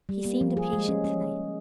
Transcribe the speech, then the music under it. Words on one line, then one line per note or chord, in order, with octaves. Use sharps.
He seemed impatient to-night.
G3
A#3
F3
G#4
G#3
C#4
C#4